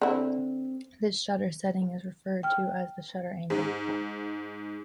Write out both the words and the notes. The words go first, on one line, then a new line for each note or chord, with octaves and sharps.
This shutter setting is referred to as the shutter angle.
D3 C4 E4
G5 F6
G#2